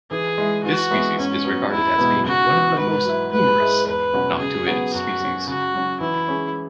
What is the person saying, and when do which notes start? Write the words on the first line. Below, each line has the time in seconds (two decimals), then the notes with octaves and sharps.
This species is regarded as being one of the most numerous noctuid species.
0.11 E3 G#4
0.38 G#3 E4
0.64 E3 F#4
0.91 G#3 B3 E4
1.19 G#2 C#4
1.45 F#3 B3
1.71 E2 E4
1.98 B2 G#3 B3
2.25 C#3 F#4
2.52 E3 B3
2.78 G#2 B4
3.05 F#3 E4
3.32 G#2 B4
3.59 G#3 E4 G#4
3.86 E2 B4
4.13 B2 F#3 C#4 F#4
4.39 C#3 G#4
4.67 F#3 B3 F#4
4.93 F#2 F#4
5.20 F#3 C#4
5.47 C#3 F#4
5.75 F#3 C#4
6.01 E3 E4
6.28 C#4 G#4